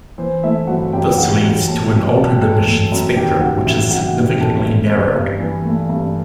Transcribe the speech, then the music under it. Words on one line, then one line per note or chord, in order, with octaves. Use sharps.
This leads to an altered emission spectrum, which is significantly narrowed.
E3 C5
A3 E4 E5
G1 F#4 F#5
F#2 G4 G5
E3 F#4 F#5
A3 G4 G5
A3 A4 A5
F#2 G4 G5
F#2 A5
G5
E3 A4 A5
A3
F#2
D#3 G4 G5
A1 F#4 F#5
A1 E4 E5
G2 F#4 F#5
F#5
D#3 G4 G5
A1 A4 A5
A3
G2
G2
E3
A3
G2